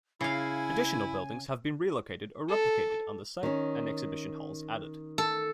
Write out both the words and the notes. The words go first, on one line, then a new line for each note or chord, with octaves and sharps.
Additional buildings have been relocated or replicated on the site and exhibition halls added.
C#3 E4 F5 G#5
A4
D#3 C#4
A4